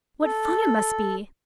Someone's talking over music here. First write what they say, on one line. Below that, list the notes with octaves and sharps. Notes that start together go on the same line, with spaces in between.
"What fun it must be!"
A4